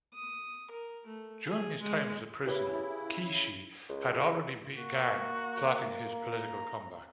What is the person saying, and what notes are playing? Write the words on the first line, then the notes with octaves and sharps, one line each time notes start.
During his time as a prisoner, Kishi had already began plotting his political comeback.
D#6
A#4
A3
G#4
G#3
C#3 E4 G4 B4 C#5
C#2
A#3 F#4
A#5